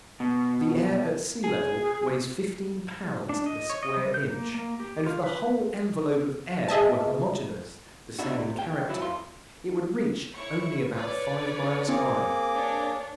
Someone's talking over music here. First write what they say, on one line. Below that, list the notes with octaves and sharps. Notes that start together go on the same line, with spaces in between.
The air at sea-level weighs fifteen pounds to the square inch, and if the whole envelope of air were homogeneous--the same in character--it would reach only about five miles high.
B2
G#4
D4
D#5
C#5
D#5
G3
G6
A#3
A#3
G4
F4
B4
G#4 D#5 E5 A5
B2 D4 E4 F#4
C3
D#2 G5
C2
F#3 E4
F2 F4 C6
E4 C#5 C#6
B4 C#5 D5
A#3 C4 G#4 D6
D4 C#5